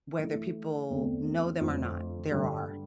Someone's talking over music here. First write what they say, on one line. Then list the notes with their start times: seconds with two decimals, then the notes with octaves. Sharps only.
whether people know them or not, there are,
0.19 E3 A3 E4
0.90 E2 D3 A3 C4
1.60 F2 D3 F3 A3
2.31 G2 D3 G3